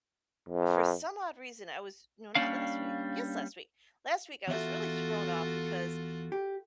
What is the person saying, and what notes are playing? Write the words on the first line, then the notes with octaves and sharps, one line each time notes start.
for some odd reason, I was no, not last week yes, last week. Last week, I was really thrown off, because
F2
G3 A#3 C#4 D4 F5
E2 F4 F#4 A4 E5
G4